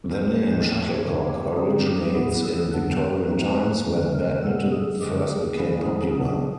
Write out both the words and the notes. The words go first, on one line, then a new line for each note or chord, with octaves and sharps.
The name 'shuttlecock' originates in Victorian times, when Badminton first became popular.
C5
A2 F3 G#3 C#4 C#5
G2 D3 F3 A3 C#5
G4
D3 G3 C4 D#4 G#4
G4
A2 F#3 B3 E4 G#4
A4
F#2 D3 F#3 B3 D4 B4
G#2 F3 A3 C4 D#4 B4
F#2 D3 F#3 A3 C#4
A#4
B2 G3 B3 A4
G#4
F#2 D3 F3 G#3 G4
G#4
D#3 G3 A#3 C#4 E4
G#4
A#2 F#3 B3 D4 G#4